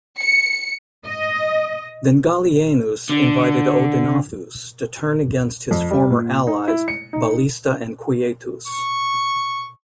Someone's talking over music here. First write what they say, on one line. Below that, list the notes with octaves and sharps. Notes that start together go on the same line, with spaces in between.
Then Gallienus invited Odenathus to turn against his former allies, Ballista and Quietus.
C#7
D#5
D3
F2
G3
A#2
D#4
E4
C#7
D#4
C#6